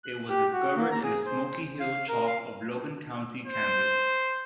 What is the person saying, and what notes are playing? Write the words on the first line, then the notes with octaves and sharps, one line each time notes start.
It was discovered in the Smoky Hill Chalk of Logan County, Kansas.
F#6
G4
F#4
A#3
A#5
G#4
C5
F5
A#4
F5
C5